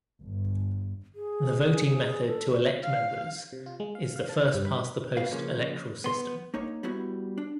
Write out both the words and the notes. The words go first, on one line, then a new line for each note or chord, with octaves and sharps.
The voting method to elect members is the First Past the Post electoral system.
G1
G#4
A4
F5
C3
F4
G#3
F5
F5
A5
G6
G2
B5
B2 F#4 B4 F5
C#3 F3 A#3 C#4
B3 C6
A#3 D#4 C#5
G3 B3 E4 F#4
D4